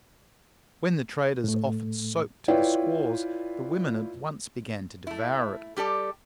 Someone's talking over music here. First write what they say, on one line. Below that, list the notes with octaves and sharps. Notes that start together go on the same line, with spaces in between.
When the traders offered soap to the squaws, the women at once began to devour it.
A2 A3
E4 F4 B4 C#5 D5 G5
A3 E4
G3 G4 A4 D5